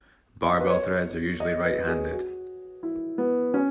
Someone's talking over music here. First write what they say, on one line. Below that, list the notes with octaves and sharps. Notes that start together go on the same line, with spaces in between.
Barbell threads are usually right-handed.
B4
C#5
D#5
B4
G#4
F#4
E4
B3
C#4